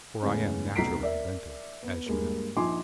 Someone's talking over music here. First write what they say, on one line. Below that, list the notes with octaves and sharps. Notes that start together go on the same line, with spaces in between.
For I am naturally inventive, as you know.
E2 A2 C#3 G#3 C#4
F1 B1 A#5 B6 C7 D7
A#4 D5 E5
B3
G2 G#3 A#3
A#1 F3 D#4 G#5 C6 D6